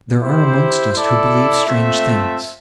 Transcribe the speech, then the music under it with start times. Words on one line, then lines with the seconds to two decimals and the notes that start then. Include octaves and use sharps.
There are amongst us, who believe strange things.
0.21 E4 G4 C5
0.93 E4 A4 D5
1.65 A3 C4 F4 A4 E5